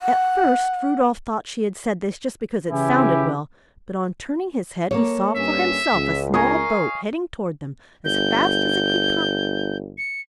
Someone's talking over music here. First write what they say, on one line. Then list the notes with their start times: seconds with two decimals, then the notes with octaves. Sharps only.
At first Rudolf thought she had said this just because it sounded well, but on turning his head he saw for himself a small boat heading toward them as fast as it could come.
0.01 F#5
2.71 C#3 E3 E4 G4 G#5
4.91 A#3 A4 C#5
5.36 G2 G3 C#4 E5
5.92 C#2
6.34 A#4 D#5 F5 G#5 C#6
8.05 G1 G6
9.98 C#7